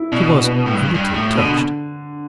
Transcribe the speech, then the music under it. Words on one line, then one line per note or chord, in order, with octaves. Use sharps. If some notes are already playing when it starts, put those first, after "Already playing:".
She was a little touched.
Already playing: E4
B2 D4
B3
A2
G2
G2
A2
B2 D3